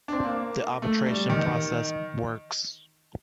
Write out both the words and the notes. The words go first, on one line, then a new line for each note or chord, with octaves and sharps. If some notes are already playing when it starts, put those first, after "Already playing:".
The arbitration process works.
D4
C4
A#3
A3
G3
D#3